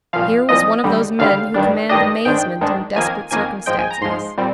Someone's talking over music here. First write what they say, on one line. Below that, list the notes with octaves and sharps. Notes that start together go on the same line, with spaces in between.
Here was one of those men who command amazement in desperate circumstances.
C2 A#2 F3 F5
C2 A#2 F3 D#5
D#2 D3 G3
D#2 D3 G3 F5
G2 D#3 G3 D4
G2 D#3 G3 D4 D#5
G#2 D#3 G#3 D4 G5
G#2 D#3 G#3 D4
F2 D#3 A#3 G#5
F2 D#3 A#3 G#5
G#2 F3 G#3 G5
G#5
A#5
G#2 F3 G#3 C6
A#2 G3 C4